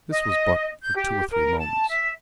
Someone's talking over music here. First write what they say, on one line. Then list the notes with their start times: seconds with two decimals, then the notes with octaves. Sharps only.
This was but for two or three moments.
0.11 D#5
0.82 G6
0.96 G4
1.31 A#4
1.58 A5
1.88 E5